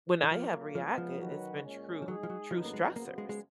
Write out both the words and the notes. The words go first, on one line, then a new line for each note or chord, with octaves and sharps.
When I have reacted, it's been true true stressors
D#3
A#2 F3 F#3 A#3
C#3 F3 G#3 B3
F3
D#3 F#3 C#4 F#4 B4
A#2 G#3 C#4
F3
F#3 G#3 D#4 G#4
F3
F#3
F2 C#3 F3 F#3 B3 D#4
A#3
G#3
F#2 C#3 F3 A#3 B3 F#4
G#3
G#3